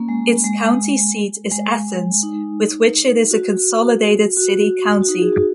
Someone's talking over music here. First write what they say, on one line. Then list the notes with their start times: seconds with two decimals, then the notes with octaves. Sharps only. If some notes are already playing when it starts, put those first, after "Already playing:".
Its county seat is Athens, with which it is a consolidated city-county.
Already playing: A#3 C#4
0.09 G#3
0.44 G#3
1.51 G#3
2.23 D#4
3.31 F#4
4.37 F#4
5.02 F#4
5.09 D#4
5.22 G#4
5.33 F#4